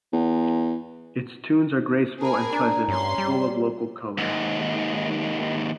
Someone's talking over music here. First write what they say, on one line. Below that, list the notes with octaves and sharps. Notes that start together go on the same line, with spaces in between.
Its tunes are graceful and pleasant, full of local color.
E2
G#4 A#4 G#5 A5 B5
D4 A#5
G2 C#4 C6
G3
D#2 G#2